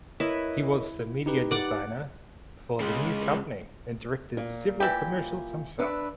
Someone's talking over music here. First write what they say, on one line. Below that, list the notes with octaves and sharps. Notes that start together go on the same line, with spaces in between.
He was the media designer for the new company and directed several commercials himself.
E4 A#4 B4 C#5 D#5
D#4 G4 B4
D5 F#5 D6
C#3 G#3
A#2
E3 G4
D4 B4 E5